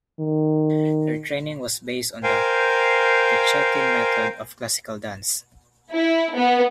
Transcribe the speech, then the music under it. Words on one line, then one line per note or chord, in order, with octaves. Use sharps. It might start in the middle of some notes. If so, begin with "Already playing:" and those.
Her training was based on the Cecchetti method of classical dance.
D#3
A#4 C5 F5 G5 G#5
E4
B3